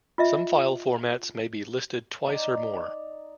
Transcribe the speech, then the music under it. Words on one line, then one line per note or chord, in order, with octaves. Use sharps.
Some file formats may be listed twice or more.
F4 D#5 E5
D#4 D5 A#5